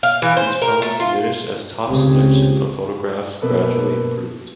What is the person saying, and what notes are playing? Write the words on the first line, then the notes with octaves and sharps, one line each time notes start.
These problems diminished as Topps' selection of photographs gradually improved.
F5
E3
C5
A#4
A3
F4
C#2 C#3 C4 G4
B2 A#3 A4 B4